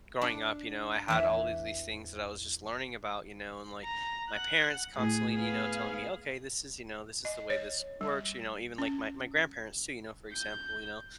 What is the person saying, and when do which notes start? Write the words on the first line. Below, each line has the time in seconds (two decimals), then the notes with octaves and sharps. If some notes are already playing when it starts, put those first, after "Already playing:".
growing up, you know, I had all of these things that I was just learning about, you know, and, like, my parents constantly, you know, telling me, "Okay. This is, you know, this is the way this works," you know? Even like my my grandparents too, you know? For example, you know,
0.22 D4
1.08 E2 E3 E5
3.84 A#5
4.30 F#5 F#6
4.96 A2 G#4
5.34 B3 G#4 F5
7.25 D#5
7.50 C#5
8.01 G3
8.78 C#4
10.33 G6